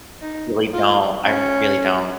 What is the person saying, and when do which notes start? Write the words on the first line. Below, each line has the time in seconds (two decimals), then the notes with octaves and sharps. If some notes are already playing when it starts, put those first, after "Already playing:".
Really don't, I really don't.
0.22 D#4
0.73 F4
1.25 C#4